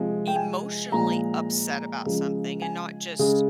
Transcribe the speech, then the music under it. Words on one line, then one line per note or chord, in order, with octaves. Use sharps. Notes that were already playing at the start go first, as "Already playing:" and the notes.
emotionally upset about something and not just
Already playing: C3 F3 G#3
G5
G#5
A#2 F3 G#3 A#5
C#3 F3 G#3
G#5
C#3 G#3